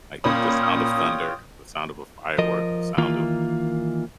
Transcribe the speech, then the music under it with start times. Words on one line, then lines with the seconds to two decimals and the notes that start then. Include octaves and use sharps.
like, the sound of thunder, the sound of a firework, the sound of
0.24 A#2 C#4 F4 C#5 G5 B5 D#6
2.38 F3 A#4 D#5
2.98 D#3 E3 A#3 F4